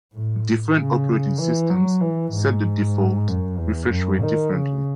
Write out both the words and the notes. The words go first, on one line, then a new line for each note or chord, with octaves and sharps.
Different operating systems set the default refresh rate differently.
A2
C#3
E3
F#3
E3
G#2
F#2
E2
F#2
D#3
C#3